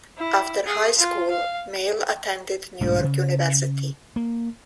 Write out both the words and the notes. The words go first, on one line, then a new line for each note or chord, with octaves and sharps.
After high school, Mele attended New York University.
E4
G#4
F4
F5
B1 G#2 A3 D4
C#3
A#3